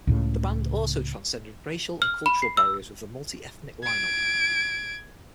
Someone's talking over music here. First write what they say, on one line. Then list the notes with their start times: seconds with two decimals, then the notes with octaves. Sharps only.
The band also transcended racial and cultural barriers with a multi-ethnic line-up.
0.07 C#2 A2 C#3
2.02 F6
2.26 B5
2.42 C7
2.57 E6
3.83 G#6 D7